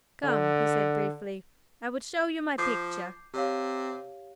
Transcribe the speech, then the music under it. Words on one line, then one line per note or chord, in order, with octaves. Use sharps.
"Come," he said briefly, "I will show you my picture."
D3
F3 D6 G6 C7
C3 G4 C#5 F5